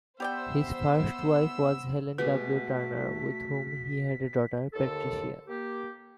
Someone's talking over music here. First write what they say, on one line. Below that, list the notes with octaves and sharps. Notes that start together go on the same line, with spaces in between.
His first wife was Helen W. Turner with whom he had a daughter, Patricia.
B3 G4 C5 D5 E5 G5 E6
B2 G#3 A3 G4 B4 B6
D#2 D3 A4
A#3 G4